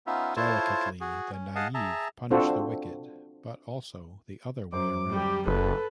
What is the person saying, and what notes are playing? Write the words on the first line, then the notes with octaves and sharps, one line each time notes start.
Delicately, the naive punish the wicked, but also the other way around.
B3 C#4 D#4 F4 E5
E4 F4 A4 C5 C#5 A5
F#4 G#4
C#4
G#4 D#5 F5 F#5 A5
G#4 E5 A5 A#5
C4 D4 F4 F#4 A4 C5
F#2 F#3 C5 D6
G3 G4
F#1 A4 B4